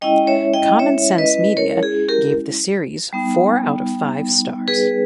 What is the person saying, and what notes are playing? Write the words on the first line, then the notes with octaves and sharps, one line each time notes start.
Common Sense Media gave the series four out of five stars.
G#3 C#4 E4 D#5 G5
C#5 E5
D#5 G5
C#5 E5
B4 D#5
A#4 C#5
G#4
G4 A#4
G3 B3 D#4
G#4 B4